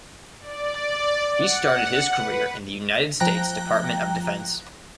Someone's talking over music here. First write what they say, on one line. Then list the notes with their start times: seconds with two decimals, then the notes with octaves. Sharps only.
He started his career in the United States Department of Defense.
0.40 D5
1.36 F#5
2.15 B4
3.20 F3 G5 A#5 F#6 A#6